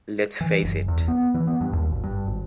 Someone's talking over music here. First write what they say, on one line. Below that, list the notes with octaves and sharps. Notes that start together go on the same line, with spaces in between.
Let’s face it!
E3
F#1
E2
B3
E3
B3
G2
D#2
G#1
G2
G#1